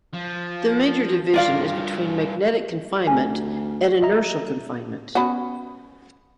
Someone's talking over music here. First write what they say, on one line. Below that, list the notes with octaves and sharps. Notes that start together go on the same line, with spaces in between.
The major division is between magnetic confinement and inertial confinement.
F3
G2 F4 A#4 D5 F5
D2 G#5
D#5 E5 A#5
B3 C#4 F#4